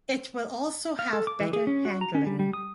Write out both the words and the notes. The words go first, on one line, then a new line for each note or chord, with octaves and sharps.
It will also have better handling.
F5
A4
D6
E3
G#4
C#4
F#4
A#5
C#4
G3
G3
D#6